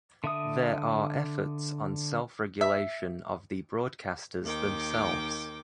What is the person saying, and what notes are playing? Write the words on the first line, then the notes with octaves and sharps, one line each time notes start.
There are efforts on self-regulation of the broadcasters themselves.
D3 E5 D#6
E5
D#2 D#3 G5 D6